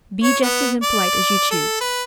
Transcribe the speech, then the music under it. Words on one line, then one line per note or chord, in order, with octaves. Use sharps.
Be just as impolite as you choose.
C#5
B3
D5
A4
B4